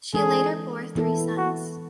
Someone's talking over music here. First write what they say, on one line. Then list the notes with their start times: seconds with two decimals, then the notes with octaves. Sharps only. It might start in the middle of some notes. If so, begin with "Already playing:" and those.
She later bore three sons.
0.14 E3 G#3 D4 G#4 A4
0.95 E3 B3 E4 A4
1.37 F#4